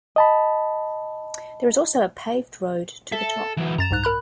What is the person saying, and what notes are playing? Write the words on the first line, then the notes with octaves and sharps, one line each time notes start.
There is also a paved road to the top.
D#5 A5 B5
A4 E5
E3 F#3
F#2 A#5 A6 E7
C2 G#2 F#6
A#4 B5 F#6